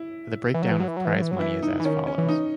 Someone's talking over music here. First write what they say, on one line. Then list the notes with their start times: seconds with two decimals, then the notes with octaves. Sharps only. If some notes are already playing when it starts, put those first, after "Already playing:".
The breakdown of prize money is as follows.
Already playing: E4
0.54 E3
0.62 F#3
0.71 E3
0.80 F#3
0.88 E3
0.97 F#3
1.05 E3
1.14 F#3
1.22 E3
1.31 F#3
1.39 E3 E4
1.63 D#4
1.80 E3
1.84 D#3 C#4
2.07 C#4
2.18 E3
2.29 D#4